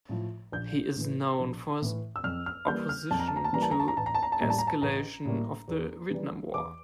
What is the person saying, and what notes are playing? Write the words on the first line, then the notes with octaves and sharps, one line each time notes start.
He is known for his opposition to escalation of the Vietnam War.
A2 F3
A#1 G6
A2 E3
A#1
A2 E3
E6
F2 F6
F6
E3 G3 A#3 G6
F6
F2 A5
A#5
A5
A#5
A5
E3 G3 A#3 A#5
A5
A#5
A5
A#5
A1 A5
A#5
A5
A#5
A5
A2 G3 A#3 A#5
A5
A#5
A5
A1 A#5
A2 G3 A#3
E2
E3 G3
E2 D6